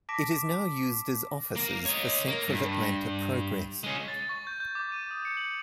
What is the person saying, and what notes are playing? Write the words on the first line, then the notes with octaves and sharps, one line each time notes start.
It is now used as offices for Central Atlanta Progress.
A5 D6 A#6 B6 D7 E7
A#3
C#5 D#5
A#3
G2
G#3 C#4
A6
C#6
G6
G6
D6
D#7
D#6
C#7
F#7